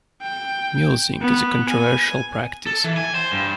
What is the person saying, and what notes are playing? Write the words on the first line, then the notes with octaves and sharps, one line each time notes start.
Mulesing is a controversial practice.
G5
B3
G#5
A4
E3
G#5
C5
G2